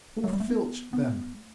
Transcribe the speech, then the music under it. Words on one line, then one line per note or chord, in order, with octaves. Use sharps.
Who filched them?
F#3
G3
A3
B3
B3
G3
A3